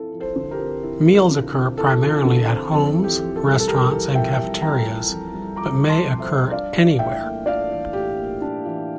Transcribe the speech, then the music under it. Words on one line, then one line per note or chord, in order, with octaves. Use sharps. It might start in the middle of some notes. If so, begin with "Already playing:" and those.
Meals occur primarily at homes, restaurants, and cafeterias, but may occur anywhere.
Already playing: F3 C4 E4 A4
F3
A4 C5
D3
G4 A#4
C4
E4
F3
D3
C4
E4 A4
F3
D3 A4
C4
F2 A4
E3
G4
F2
A4
G3
A4
F2 G4 A#4
E3
F2 E5 G5
G3
F2 G5 A#5
E3
F2
G3
F2 A#5 D6
E3
A5 C6
F2
C5 E5
G3
D4 D5 F5
E3
A2 E5 G5
A#3
D4 D5 F5
E3
A2 G4
A#3
D4
E3